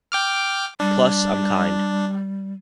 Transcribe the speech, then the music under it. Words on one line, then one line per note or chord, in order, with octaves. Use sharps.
Plus I'm kind.
G5 D6 F6
G3 D4